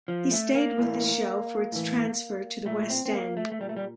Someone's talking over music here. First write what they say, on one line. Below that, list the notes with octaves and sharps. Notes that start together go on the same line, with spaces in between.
He stayed with the show for its transfer to the West End.
F3
A3
A#3
A2 E3
A2 E3
A#2 A3
C4
C4
A#3
A3
A3
A#2 G3
A3
G3